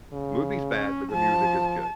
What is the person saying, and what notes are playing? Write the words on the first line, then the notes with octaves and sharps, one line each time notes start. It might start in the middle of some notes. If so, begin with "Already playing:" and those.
Movie's bad, but the music is good."
C#3
C#4
F3 A5